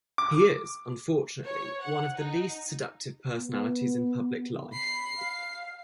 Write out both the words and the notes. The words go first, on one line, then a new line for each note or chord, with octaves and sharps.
He is, unfortunately, one of the least seductive personalities in public life.
D6
C#5
F#5
D#4
B3
B5 C7
F5